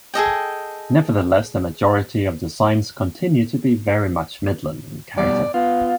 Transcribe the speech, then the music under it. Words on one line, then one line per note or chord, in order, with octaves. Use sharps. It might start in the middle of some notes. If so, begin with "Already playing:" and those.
Nevertheless, the majority of designs continued to be very much Midland in character.
G#4 A4 D#5 G5
B2 G3 D5
B3 F4